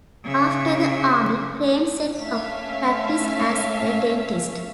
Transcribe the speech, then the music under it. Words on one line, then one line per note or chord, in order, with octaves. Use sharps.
After the Army, Crane set up practice as a dentist.
C#3 E5
A3 C#4 E5 F5